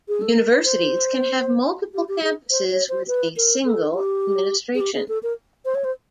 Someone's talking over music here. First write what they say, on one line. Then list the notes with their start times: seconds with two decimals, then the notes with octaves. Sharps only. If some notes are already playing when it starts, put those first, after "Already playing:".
Universities can have multiple campuses with a single administration.
0.08 G#4
0.22 A4
0.37 A#4
0.50 B4
0.65 C5
1.94 G4
2.09 G4
2.23 G#4
2.51 C5
2.71 C#5
2.89 C5
3.08 B4
3.37 A#4
3.65 A4
3.95 G4
4.75 G#4
4.81 G4
4.94 G#4
5.09 A4
5.23 A#4
5.65 C5
5.75 C#5
5.84 C5